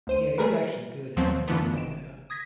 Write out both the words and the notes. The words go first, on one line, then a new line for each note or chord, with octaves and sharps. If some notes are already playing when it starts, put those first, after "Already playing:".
Yeah, he's actually good in that and, uh
D2 C5 D#7
G3 A3 G#4 A#4 B4
D#2 F3 F#3 B3 C4
F#2 A#2 D3 E3 A3 B3
G#1 D7 E7
D#6 G#6 A#6 B6